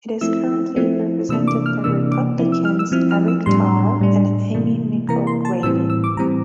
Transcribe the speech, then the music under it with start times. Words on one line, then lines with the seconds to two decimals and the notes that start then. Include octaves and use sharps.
It is currently represented by Republicans Eric Tarr and Amy Nichole Grady.
0.21 F3 A3 C4 E4 E6
0.76 F3 A3 C4 E4
1.29 C3 E3 A#3 D4 E6
1.48 D6
1.66 F6
1.84 C3 E3 A#3 D4 E6
2.11 D6
2.38 F3 C4 E4
2.52 E6
2.65 F6
2.79 E6
2.92 F3 C4 E4 F6
3.11 F6
3.28 E6
3.46 A2 G3 D4 C6
4.01 A2 G3 D4
4.54 C3 E3 A#3
5.09 C3 E3 A#3 A#5
5.27 C6
5.45 A5
5.63 A2 E3 G3 C4 E6
5.90 E6
6.04 D6
6.17 A2 E3 G3 C4 A#5